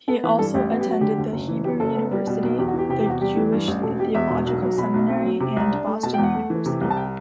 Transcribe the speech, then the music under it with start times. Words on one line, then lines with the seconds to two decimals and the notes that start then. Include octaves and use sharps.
He also attended The Hebrew University, the Jewish Theological Seminary and Boston University.
0.08 B3 A4
0.23 E3 B4
0.38 G2 A4
0.54 A1 G4
0.70 B3 F#4
0.81 G4
0.86 F#3 F#4
1.01 D3 G4
1.18 D2
1.32 F#1
1.48 E3
1.64 F#2 G4
1.80 F#1 A4
1.96 B3
2.11 G3
2.27 B2
2.43 B1
2.58 E2 G4
2.68 F#4
2.73 E3
2.79 G4
2.89 C3 G4
3.00 G4
3.06 E2 F#4
3.21 G3 G4
3.37 E3
3.53 G2
3.68 A1
3.83 E1 A4
3.99 B2 G4
4.14 E2 E5
4.31 E1
4.46 B1
4.62 F#3
4.78 B2 B5
4.94 B1
5.09 C4
5.24 F#3
5.40 C3
5.56 C2
5.72 D4
5.87 A3
6.03 B2 A5
6.14 G5
6.18 E2
6.23 F#5
6.35 A3
6.50 E3
6.66 C3
6.81 C2
6.90 A5
6.97 G5